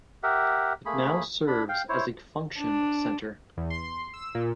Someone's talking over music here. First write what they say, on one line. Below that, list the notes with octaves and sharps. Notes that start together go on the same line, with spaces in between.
It now serves as a function centre.
G4 A#4 E5 F#5
A3 A#3 G#4 B5
D4 B5
F5 G5
E4 C5 C#5
D4
E2
C6
E6
A#2